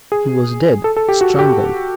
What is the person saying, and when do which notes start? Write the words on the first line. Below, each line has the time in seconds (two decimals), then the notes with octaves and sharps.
He was dead--strangled.
0.12 G#4
0.84 A4
0.96 A4
1.09 G4
1.21 F#4
1.39 G4